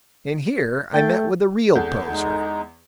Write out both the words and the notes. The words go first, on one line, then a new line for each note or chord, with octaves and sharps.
And here I met with a real poser.
A3 G5 A6
E2 A4 F#5 G6
G#3 D#4